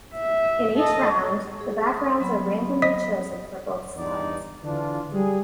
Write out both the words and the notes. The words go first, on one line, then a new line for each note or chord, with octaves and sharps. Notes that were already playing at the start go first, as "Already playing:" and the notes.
In each round, the backgrounds are randomly chosen for both sides.
E5
A4 D#5
G#4
C6 D#6
F#3 B3 B5
D#5 D#6 B6
E2 G2 D4 D#4 D5
D3 E3 D4 F4
G3 G#4